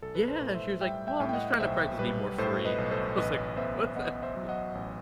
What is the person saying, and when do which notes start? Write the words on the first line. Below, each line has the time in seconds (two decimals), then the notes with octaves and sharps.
Yeah, and she was like, "Well, I'm just trying to practice being more free." I was like, "What's that mean?"
0.02 B1 A4
0.15 B4
0.28 A4 C5
0.41 A2
0.54 C5 E5
0.81 G3 E5 G5
1.07 E5 G5
1.20 A2
1.29 G5
1.33 D#5 F#5
1.60 B1 C5 E5
1.99 G3 B4
2.38 A2 A4 C5
2.65 B4 D#5
2.78 B1
2.91 A4 C5
3.17 A1 B4 D#5
3.56 B3 C5 E5
3.96 B3 D#5 F#5
4.23 C5 E5
4.36 F#3
4.49 D#5 F#5
4.75 A1